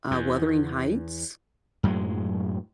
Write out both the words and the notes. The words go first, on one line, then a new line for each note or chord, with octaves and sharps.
uh, Wuthering Heights.
E2
F#2 A2 F#3 G#3